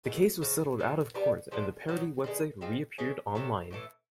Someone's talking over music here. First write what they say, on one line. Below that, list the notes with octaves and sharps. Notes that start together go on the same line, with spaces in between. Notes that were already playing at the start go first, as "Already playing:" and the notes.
The case was settled out-of-court and the parody web site re-appeared online.
C#3 E3 G#3 B3
C#3 F3 A3
A2 E3 G#3 B3
G3 B3 D4
F3 G#3 B3 D4
B2 F#3 B3 D#4
D3 F3 G#3 B3
F3 G#3 C4
E3 G#3 C#4
C3 D#3 F#3 A3
A2 E3 A3